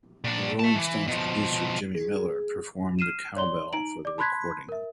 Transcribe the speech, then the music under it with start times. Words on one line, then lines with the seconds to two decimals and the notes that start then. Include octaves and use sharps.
The Rolling Stones' producer Jimmy Miller performed the cowbell for the recording.
0.24 A#2 D4
0.60 E5 A5
0.75 E3
1.07 B2 F3
1.95 G#4
2.99 F6 C7 D#7 E7
3.36 C#5 D5 C6 G7
3.73 D#4 A#5 D7 F#7
4.05 D5 D6
4.18 A5 B5 C6 F#6 G#6 B6
4.69 A#4 E5